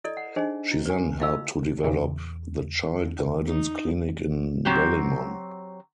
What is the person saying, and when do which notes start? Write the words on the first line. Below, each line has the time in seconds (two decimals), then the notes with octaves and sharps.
She then helped to develop the Child Guidance Clinic in Ballymun.
0.04 E4 A4 D5 D#5
0.17 F#5
0.36 D4 D#4 G#4 C5 D#5 G#5
0.71 E4
0.86 B4 G#5
1.20 E4 F4 D#5 F5 B5 E6
1.83 E2 A#2 C#3 E3
3.48 D#4
4.65 F#3 C4 F#4 G4